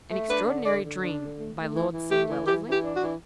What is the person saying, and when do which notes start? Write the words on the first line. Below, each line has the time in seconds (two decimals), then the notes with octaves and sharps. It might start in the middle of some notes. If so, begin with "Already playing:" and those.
"An Extraordinary Dream," by Lord C. Wellesley.
0.11 A3
0.30 D4 B4
0.48 D3
0.66 D3 D5
0.85 D3
1.02 D4
1.20 D3
1.39 A3
1.56 A3
1.75 E3
1.92 E3
2.11 A3 G4
2.29 E3
2.47 E3 G4
2.66 E3
2.71 G4
2.83 D4
2.95 F#4
3.01 E3